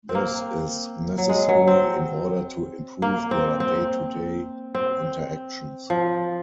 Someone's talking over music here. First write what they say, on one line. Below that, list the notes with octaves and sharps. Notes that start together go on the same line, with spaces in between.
This is necessary in order to improve their day-to-day interactions.
C4
A#3
F#3
G#3
F#3
C4
A#3
C4
C4
C4
F3